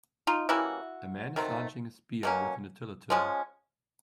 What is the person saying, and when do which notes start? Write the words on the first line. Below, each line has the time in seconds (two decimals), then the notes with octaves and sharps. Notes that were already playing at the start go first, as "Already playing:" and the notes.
A man is launching a spear with an atylatyl.
0.27 D#4 F4
0.49 E3 G3 A#3 C#4 E4 F#4
1.36 D#3 F#3 A3 C4
2.23 B2 F#3 A#3 C#4
3.10 F3 G#3 C#4